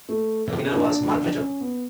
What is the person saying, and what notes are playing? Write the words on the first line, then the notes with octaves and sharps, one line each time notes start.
The winner was Mark Fletcher.
A3
D4
C#4
B3